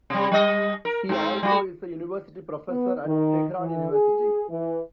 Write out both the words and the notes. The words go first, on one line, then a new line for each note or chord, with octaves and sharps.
He also is a university professor at Tehran University.
C3 G3
G3 D#5
A#4
G#2 C4
G3 F4 F#4
B3
D#3
E3
G#4
E3